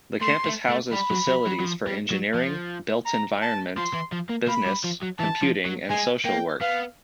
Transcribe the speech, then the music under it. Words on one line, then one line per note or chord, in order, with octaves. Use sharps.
The campus houses facilities for engineering, built environment, business, computing and social work.
A3 C6
A3
A3
G3 B5
F#3
F#3
F#3
F#3
F3
G3
F#3
F3
A#5
A5
F3 C6
E3
F3
A#3
A#3 B5
G3
F3
F#3
E3 A5
F3
F#3
G#3 G#5
A#3 G5
B3 F5